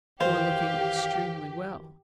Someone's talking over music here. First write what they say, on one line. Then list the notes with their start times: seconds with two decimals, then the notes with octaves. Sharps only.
You are looking extremely well.
0.21 F#2 D#3 E3 G4 C5 F5